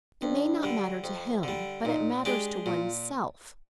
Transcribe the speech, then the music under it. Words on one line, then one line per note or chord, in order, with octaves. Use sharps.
"It may not matter to him, but it matters to one's self."
F2 D4
D3 G3
F2
D3 G3
A#2 D#4
G#3 D4 G4
A#2 F4